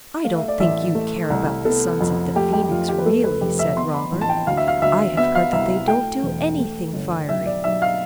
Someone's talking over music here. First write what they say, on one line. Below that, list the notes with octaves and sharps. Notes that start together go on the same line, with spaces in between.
'I don't think you'd care about the sons of the Phoenix, really,' said Robert. 'I have heard that they don't do anything fiery.
A3 F5
E5
D5
A1 E5
A3
C2
B3 A4
F2
A3 G4
G4
G4
F2 F4
G4
B4
A3 A4
B4
F1 G4
E5
B3 C6
B5
A1
A5
G5
D2 F5
E5
F5
D2 E5
B3 E5
F5
C2 E5
A3 G5
E1
A3
G1
B1 E5
D5
B1 E5
F5